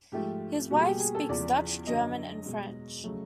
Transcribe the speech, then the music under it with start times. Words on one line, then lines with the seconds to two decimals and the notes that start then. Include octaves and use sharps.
His wife speaks Dutch, German and French.
0.12 G#2 F3 A3 G4
0.71 B2 G3 A#3 F#4
0.79 G#4
0.86 G4
1.00 G#4
1.15 A4
1.29 E2 C#3 F3 D5
1.87 F#2 D3 F#3 D#5
2.46 B2 G#3
3.04 C#3 F#3 A3